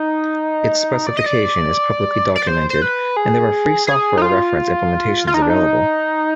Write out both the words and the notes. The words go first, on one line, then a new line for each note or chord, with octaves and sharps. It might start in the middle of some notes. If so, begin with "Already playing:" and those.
Its specification is publicly documented and there are free software reference implementations available.
Already playing: D#4
D5
D#5
D5
D5
C5
C5
B4
G#4
G#4
D#4
F4
F4
D#4
D4
D#4